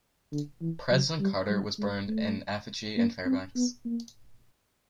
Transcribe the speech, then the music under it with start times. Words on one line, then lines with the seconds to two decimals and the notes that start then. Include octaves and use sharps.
President Carter was burned in effigy in Fairbanks.
0.32 D3
0.61 E3
0.91 F#3
1.20 G3
1.49 G3
1.79 G#3
2.08 A3
2.97 A#3
3.26 C4
3.56 B3
3.85 A#3